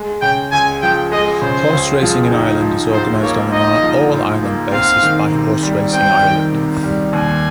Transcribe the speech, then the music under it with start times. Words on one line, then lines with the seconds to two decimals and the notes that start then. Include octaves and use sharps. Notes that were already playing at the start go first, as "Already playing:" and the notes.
Horse racing in Ireland is organised on an All-Ireland basis by Horse Racing Ireland.
Already playing: G#3
0.22 C#3 G5
0.52 C#2 G#5
0.82 F3 G5
1.12 G#3 D#5
1.42 C#3 C5
1.73 C#2
2.02 F3
2.32 D#4
2.62 F3
2.92 G#2 C5
3.22 A#3 C#5
3.52 D#4 D#5
3.83 F3
4.12 G#2
4.43 A#3
4.72 C4 F5
5.03 D#3
5.32 C3
5.63 G3
5.93 C4 G5
6.23 D#3
6.52 C3
6.83 G3
7.13 D#2 G#5